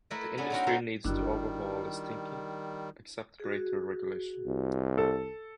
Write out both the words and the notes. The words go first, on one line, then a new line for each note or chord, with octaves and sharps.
The industry needs to overhaul its thinking, accept greater regulation.
A3 E4 A#4 B4 D#5
A3 B3 C#4 D4 E4
C4 C#4 D#4 E4 F#4 A#4
D#4 F4 F#4 A4 C5
G1 D#3 G3 D4 E4 F#4
F#4 G#4
C2
A4